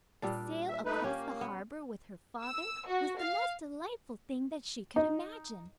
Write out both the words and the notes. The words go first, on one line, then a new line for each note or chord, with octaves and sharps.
A sail across the harbor with her father was the most delightful thing that she could imagine.
A#2 G3 D4
E5
A3 D#4 B4
A#3 C#4 G4
B3
E6
F#4
F5
D#4